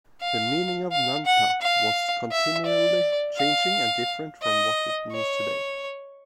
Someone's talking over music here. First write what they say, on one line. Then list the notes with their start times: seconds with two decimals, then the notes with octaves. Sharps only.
The meaning of nanpa was continuely changing and different from what it means today.
0.21 F5
0.92 F5
1.26 F#5
1.62 F5
2.32 E5
2.66 D5
3.37 F5
4.42 D#5
5.12 C#5